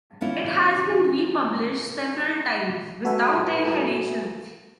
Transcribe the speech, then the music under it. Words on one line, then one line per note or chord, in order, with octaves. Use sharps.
It has been republished several times, without any additions.
E3 B3 C#4 E4 F4
F#4 A4 B4 E5 G#5